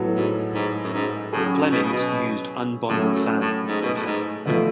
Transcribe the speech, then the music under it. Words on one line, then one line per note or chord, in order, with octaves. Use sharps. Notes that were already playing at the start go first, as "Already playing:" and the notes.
Flemmings used unbonded sand for the process.
Already playing: A2 F#3 B3 F#4 A4
G#2
G#2
F#2
G#2
A2 F#3 C#4 G#4
B2
C#3
B2
A2 F#3 A3 C#4 G#4
F#2
A2
G#2
B2
A2
G#2
B2 D3 F3 A3 F4